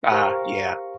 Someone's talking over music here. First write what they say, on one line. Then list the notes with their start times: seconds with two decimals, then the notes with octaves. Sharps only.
Ah, yeah.
0.11 G4 A#4 C5 F5 A#5 C#6